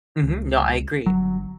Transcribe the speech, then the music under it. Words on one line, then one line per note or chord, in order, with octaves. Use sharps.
Mhm. No, I agree.
C#2
G1 F#3